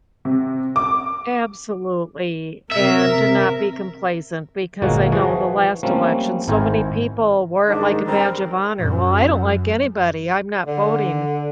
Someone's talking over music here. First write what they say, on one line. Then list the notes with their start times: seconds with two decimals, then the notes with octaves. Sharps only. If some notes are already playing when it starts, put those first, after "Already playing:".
Absolutely, and to not be complacent because I know the last election so many people wore it like a badge of honor. "Well, I don't like anybody. I'm not voting."
0.25 C3
0.76 D6
2.72 C3 A#4 E5
4.82 G1 A#2 F#3 G#3 A#3 F#4
5.12 E3 F3 F#4 G#4
5.83 F3 G3 A3 A#3 C4 C#4
6.48 G#1 E4 A#4 C5 G#5
7.68 G#2 D#3 D4
8.07 G3 C4 A#4
8.79 F#2
10.65 D3